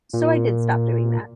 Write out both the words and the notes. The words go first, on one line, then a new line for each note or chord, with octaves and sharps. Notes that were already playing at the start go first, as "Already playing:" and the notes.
So, I did stop doing that.
A#2